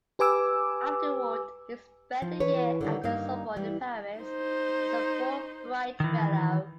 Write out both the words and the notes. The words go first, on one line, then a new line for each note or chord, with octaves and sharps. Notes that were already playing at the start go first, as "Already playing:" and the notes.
Afterward, he spent a year at the Sorbonne, in Paris, as a Fulbright Fellow.
G4 B4 G#5 D6 E6
F3
E3 B4 C#5
D3 D#3 G3
G2 A#3 D#4 F5
E3 G3
D#4 C5
D#3 E3